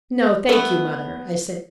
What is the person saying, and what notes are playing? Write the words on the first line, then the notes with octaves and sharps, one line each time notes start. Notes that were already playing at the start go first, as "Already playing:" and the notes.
"No, thank you, mother," I said.
A3 B3